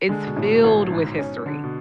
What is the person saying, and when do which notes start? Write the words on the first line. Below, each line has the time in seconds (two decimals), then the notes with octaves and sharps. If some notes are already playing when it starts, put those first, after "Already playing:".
it's filled with history.
0.09 D3 G#3
0.27 B2
0.36 A2
0.45 B2
0.64 A1
0.91 G#2
1.19 C#4
1.46 D3
1.64 B2